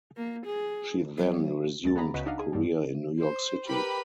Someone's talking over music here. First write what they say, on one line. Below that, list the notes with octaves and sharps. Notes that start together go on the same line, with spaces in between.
She then resumed her career in New York City.
A#3
G#4
F#3
D#2 G#3 A6
B3 G#4 A#5 B5
C#2 C#3 F#4 B4 D#5 B6
D4 D#4 D#5 F5 F#5
G#4
G2 G3
C5
G4 A#4 B4 B5